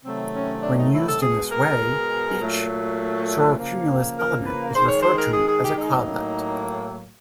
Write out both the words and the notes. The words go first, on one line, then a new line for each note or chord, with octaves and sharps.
When used in this way, each cirrocumulus element is referred to as a "cloudlet".
C3 D#3 F#3 A3 C4
C#4
D4
D#4
E4
A4
B2 G#3 G#4
A#4
A#2 F#3 A3
C#3 F3 A#3
A#4
B4
D#3 G#3 C5
C#5
C5
A#4
G#4
G#4
G4
D#4
A2 F#3 A#3